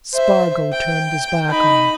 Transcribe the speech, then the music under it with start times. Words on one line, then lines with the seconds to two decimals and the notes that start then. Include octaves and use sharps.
Spargo turned his back on him.
0.13 C5 E5
0.72 G5
1.49 D#4 B5